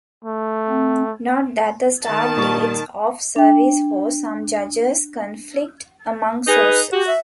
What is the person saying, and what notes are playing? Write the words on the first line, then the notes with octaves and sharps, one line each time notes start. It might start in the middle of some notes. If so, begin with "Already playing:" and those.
Note that the start dates of service for some judges conflict among sources.
A3
C4
D#3 A5
A#2 G3 C#6
D4 G5
D#4 G#4 B4
F#4 G4
E5